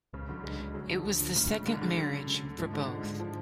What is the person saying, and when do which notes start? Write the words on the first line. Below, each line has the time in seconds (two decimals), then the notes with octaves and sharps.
It was the second marriage for both.
0.13 C#2 C#3
0.29 D3 F#3
0.44 C#2 G#3
0.59 C#2
0.74 F#3 G#3
0.90 D3 F3
1.05 D2
1.21 D3
1.36 A2 C#3
1.51 G#3
1.66 D3 G#3
1.81 D3 G#3
1.98 F#3
2.13 C#3
2.27 C#3
2.44 D2
2.59 G#2 F3
2.74 D3 G#3
2.89 D3 G#3
3.04 G#2 D3
3.20 D3 F3